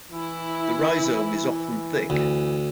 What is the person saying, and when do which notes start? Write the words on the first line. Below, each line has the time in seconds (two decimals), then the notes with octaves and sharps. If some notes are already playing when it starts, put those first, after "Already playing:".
The rhizome is often thick.
0.12 E3 E4
2.10 D2